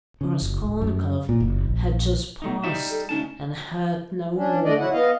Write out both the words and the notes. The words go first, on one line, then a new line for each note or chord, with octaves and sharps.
Raskolnikov had just passed and heard no more.
C#3
F#1
D1
F#2
A#2
F#1
A#1
B2 A3 D#4
G3 D#4 E5
A4
D2 C#4 D#4 A5
C#4 D4
A3 D4 D5 D#5
F#3 E4 F#4 F#5
B3 D#5 F5